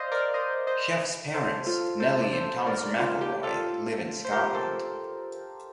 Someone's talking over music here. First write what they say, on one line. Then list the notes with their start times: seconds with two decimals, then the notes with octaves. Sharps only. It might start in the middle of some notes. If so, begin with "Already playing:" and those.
Chef's parents, Nellie and Thomas McElroy, live in Scotland.
Already playing: C5 D5 D#5 F5
0.12 A#4 D5
0.34 C5 D#5
0.67 C5 D#5
1.34 A4 C5
1.66 F4 A4
2.00 A4 C5
2.22 D5
2.33 A4 C5
2.66 A#4 D5
2.99 F4
3.21 G4
3.43 F4 A4
4.25 C5
4.32 G4 A#4
4.54 A4 C5